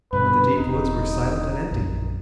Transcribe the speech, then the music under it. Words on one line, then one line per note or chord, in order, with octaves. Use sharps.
But the deep woods were silent and empty.
G2 B2 D3 B4
E1 D#4
A#1 F#2